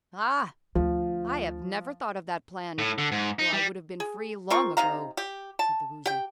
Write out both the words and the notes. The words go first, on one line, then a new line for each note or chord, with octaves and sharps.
"Ah, I have never thought of that plan, or I would have been free long ago," said the Woozy.
D2 F3
A2
D3
G#2
D#4
G3
G#4
C4 F4 A#4 C#6
C3 D#4 F5 A#5
G4
A5
G4 G5